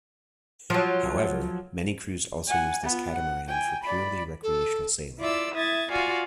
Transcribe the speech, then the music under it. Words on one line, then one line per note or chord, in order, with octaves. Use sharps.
However, many crews also use this catamaran for purely recreational sailing.
F3 F#3
F#5 G#5
B3 F4
F#5
G5 G#5
D5 B5
A4
E4 F4 D5 E5 E6
E4 E5 D#6 G#6 A6
F4 F#4 D5 F5 G#5